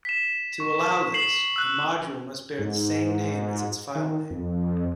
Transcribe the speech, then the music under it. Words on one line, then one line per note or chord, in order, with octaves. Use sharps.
To allow this, a module must bear the same name as its file name.
B6 E7
C#6
C7 E7 F#7
E6 F#6
G#2
D#3
F2